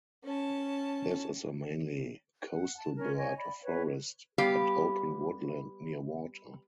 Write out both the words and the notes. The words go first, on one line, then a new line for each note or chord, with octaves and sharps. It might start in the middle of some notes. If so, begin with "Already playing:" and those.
This is a mainly coastal bird of forest and open woodland near water.
C#4 A5
F#5
A5
C#4 A#4
C#5 D#5 G#5
D5 B5
B4 C#5
G3 B3 G4 F5